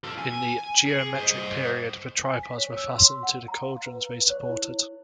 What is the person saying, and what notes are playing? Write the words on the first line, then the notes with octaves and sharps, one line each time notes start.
In the Geometric period, the tripods were fastened to the cauldrons they supported.
F4 A4
G#5
G#4
C5 D#5
G#5
B6
C#5
E6
C6
F#5
A#5
F5
B4
C#5
E4